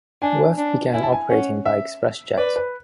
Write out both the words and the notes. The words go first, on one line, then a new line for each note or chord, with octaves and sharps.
Worth began operating by ExpressJet.
D4 G#5
D4
E4 G#5
A5
G#5
C#4 F#5
E5
B4 D5
B4